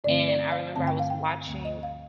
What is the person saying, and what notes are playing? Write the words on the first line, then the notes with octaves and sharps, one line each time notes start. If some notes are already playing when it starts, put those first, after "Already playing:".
and I remember I was watching
G2 D3 A3 C4 D5
D5
F5
G2 D3 A3 C4 A5
G5
F5
G5
D2 D3 A3
D#5
F5